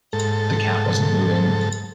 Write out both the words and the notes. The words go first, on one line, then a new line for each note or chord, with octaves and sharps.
The cat wasn’t moving.
G#2 A4